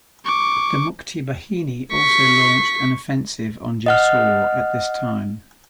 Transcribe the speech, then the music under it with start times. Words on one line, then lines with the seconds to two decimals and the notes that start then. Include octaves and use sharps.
The Mukti Bahini also launched an offensive on Jessore at this time.
0.25 C#6 D6
1.93 C#6 B6
3.86 D#5 F#5 F6